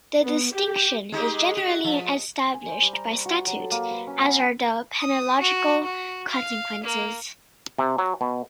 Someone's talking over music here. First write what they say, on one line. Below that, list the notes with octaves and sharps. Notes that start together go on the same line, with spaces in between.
The distinction is generally established by statute, as are the penological consequences.
B3
G4
G#3 D#4 G4
F#4
F3
G#5
C5
G3
A#5
C#6
F#4
F#3
A4
A#3
B4
C#4
B3
D#6
F#4
F#4
F5
A#3
C3
F#3
B2